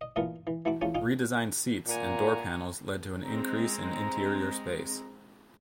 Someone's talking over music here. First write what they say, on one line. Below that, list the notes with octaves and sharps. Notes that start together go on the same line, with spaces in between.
Redesigned seats and door panels led to an increase in interior space.
D#5
A#2 E3 A3 B3 F4 A#4
E3
E3 A3 E4 F#4 D6
E2 A3 C#4 F4 G#5
D#4 F4 G#5 D6
A#2 F#5 G#5 A#5
G#3 C4 A#5